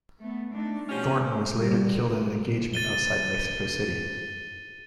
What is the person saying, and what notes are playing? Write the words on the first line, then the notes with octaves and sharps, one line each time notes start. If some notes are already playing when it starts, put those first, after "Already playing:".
Thornton was later killed in an engagement outside Mexico City.
A3 B3
A3 D4 D#4
B2 F3 G3 C#4
G3
A6 D#7 G7